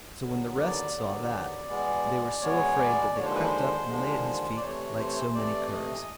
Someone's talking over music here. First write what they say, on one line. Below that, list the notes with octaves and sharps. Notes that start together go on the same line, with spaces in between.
So when the rest saw that, they were so afraid that they crept up and lay at his feet like so many curs.
D#2 D3 F#3 B3
D5
D#2 D3 F#3 B3
E2 B2 G#3 B3
E2 B2 G#3 B3 C#5
D5
D#2 D3 F3 G#3 C#5
C5
B4
C5
D#2 D3 F3 G#3
D5
C3 E3 A3 C#5
C5
C#5
C5
C3 E3 A3 D5
D5
D#5